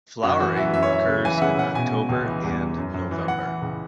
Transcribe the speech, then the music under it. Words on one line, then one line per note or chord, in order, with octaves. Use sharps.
Flowering occurs in October and November.
F#2 F#4
E3 F#4
E3 E5
F#2 E5
C#5
F#2 E5
C#3
E3 G#5
E5
C#3 F#5
C#3 F#5
B2 G#5
B2
C#2
E3
E2
E2
F#2
F#2
E3
E3 F#5
E3
C#2